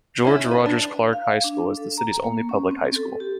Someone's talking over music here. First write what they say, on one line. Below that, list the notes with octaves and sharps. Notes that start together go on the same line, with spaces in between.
George Rogers Clark High School is the city's only public high school.
C#4 E4
B4
D4
F5
D4
A4
A#5
A#3
C#4
C4
A4
G4